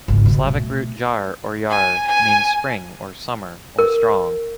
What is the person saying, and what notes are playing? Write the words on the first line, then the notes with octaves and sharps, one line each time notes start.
The Slavic root "jar" or "yar" means "spring" or "summer" or "strong".
G#1 C#2
B2
B2 A3
G#5
G#5
A#4